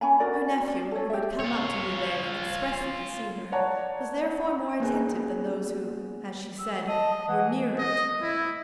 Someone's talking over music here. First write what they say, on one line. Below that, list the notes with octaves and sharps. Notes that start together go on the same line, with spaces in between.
Her nephew, who had come up to Vevey expressly to see her, was therefore more attentive than those who, as she said, were nearer to her.
C#4 G#5 B5
D4 F#4 A#4 D5
D5
A4 C#5
G4 E5
F4 C#5
C#5 D5 F#5 A5 A#5
A#3 B3 C#4 G#4 B4 C5
E6
D#5 A5
D#6
E3 F#5
D#5
E4